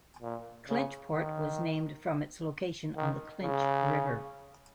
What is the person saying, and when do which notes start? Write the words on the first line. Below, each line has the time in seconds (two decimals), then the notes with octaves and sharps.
Clinchport was named from its location on the Clinch River.
0.23 A#2
0.69 C#3
1.14 D#3
2.97 D#3
3.43 C#3